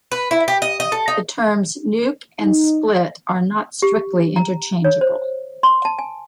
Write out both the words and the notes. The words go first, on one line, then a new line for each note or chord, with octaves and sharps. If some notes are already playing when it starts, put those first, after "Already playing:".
The terms 'nuc' and 'split' are not strictly interchangeable.
B4
E4
G4
D#5
D#5
A4
D#4
D#4
G4
A#5
C#5
C5
C6
A5
G#5